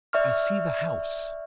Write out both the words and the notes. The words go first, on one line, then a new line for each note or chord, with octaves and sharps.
I see the house.
D5 E5 C#6 F6